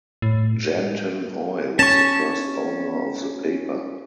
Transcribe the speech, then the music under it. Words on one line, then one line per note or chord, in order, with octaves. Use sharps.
Janton Oy was the first owner of the paper.
A2
C#4 A5 C#6